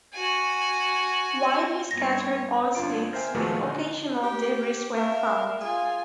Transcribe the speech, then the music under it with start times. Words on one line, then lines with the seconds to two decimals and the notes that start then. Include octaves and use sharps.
Widely scattered oil slicks with occasional debris were found.
0.13 F#4 G#5
1.91 G2 B3 C#5 A#6
2.75 G1 D4 F4 D7
3.13 A#4 C5 E5 G5 G#5 F6
3.35 A#2 D#3 F3 G#3 A3 F#4
3.63 D3 D#4
4.23 G4
4.96 A#4 E5 F5
5.61 F4 G#4 G#5